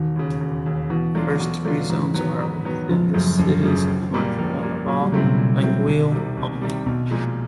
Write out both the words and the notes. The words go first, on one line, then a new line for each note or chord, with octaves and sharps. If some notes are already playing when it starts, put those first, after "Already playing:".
The first three zones are within the cities of Montreal, Laval and Longueuil only.
Already playing: E1 D#3
D#2 C#3
E1
D#2 C#3
B2 E3
F#3 A3 D4 F4
B2
F#3 A3 D4 F4
G#2 E3
D#3 F#3 B3
G#2
D#3 F#3 B3
F#1 F3
F#2 C#3 F3 F#3 A3
F#1 F3
F#2 C#3 F3 F#3 A3
A#1
A#2 G3 A#3
A#1 F3
A#2 G3 A#3
A#2 F#3
G3
C#3 F#3 A3 C4 E4
B2
A#2
F#3 A3 C4 E4
C2
C3 D#3 G3
C2
C3 D#3 G3
B1 B2
A#2 F3 G#3